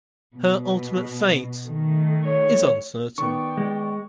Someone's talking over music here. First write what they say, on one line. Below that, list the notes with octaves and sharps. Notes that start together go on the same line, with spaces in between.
Her ultimate fate is uncertain.
B2
D#3 A3
C#5
D#3 B3 D5 G5 C#6
G#3